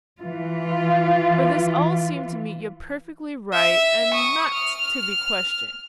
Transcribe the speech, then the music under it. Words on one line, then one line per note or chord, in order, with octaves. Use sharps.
But this all seemed to Mitya perfectly right and not to be questioned.
E3 F4
E5
C#6 D#6
F6